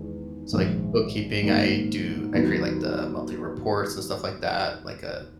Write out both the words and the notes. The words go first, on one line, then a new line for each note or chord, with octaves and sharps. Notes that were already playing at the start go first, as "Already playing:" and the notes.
so, like, bookkeeping, I do I create like the monthly reports and stuff like that, like a
Already playing: E2 D#3 G#3
A#1 G#2 D#3
G#2 D#3 A#3
D#2 D#3 F#3 B3 E4